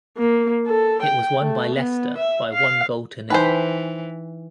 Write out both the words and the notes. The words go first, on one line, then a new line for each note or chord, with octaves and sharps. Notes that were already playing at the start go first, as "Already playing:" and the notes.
It was won by Leicester by one goal to nil.
A#3
A4
G5
A3
B3
E5
F5
E3 D#4 B4 C5 G5 G#5